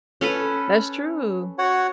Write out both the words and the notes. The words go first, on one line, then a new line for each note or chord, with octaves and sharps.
That's true.
C#4 A4 B4
F#4 C#5 F#5